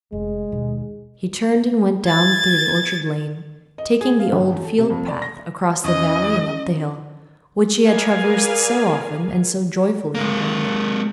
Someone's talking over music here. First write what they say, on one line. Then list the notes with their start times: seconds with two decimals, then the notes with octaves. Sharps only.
He turned and went down through the orchard lane, taking the old field-path across the valley and up the hill, which he had traversed so often and so joyfully in boyhood.
0.12 F1 G#3
0.52 D#2 B2
2.07 G#6 A6
3.78 D#5
4.01 G#4
4.19 F5
4.32 G1
4.52 E2
4.65 A4
4.78 C3
4.90 F2
5.08 D5
5.22 A#6
5.84 E2 C#4 D#5 D#6
7.84 G#4 A#4 B4 D5 F5 G#5
10.15 G#3 A#3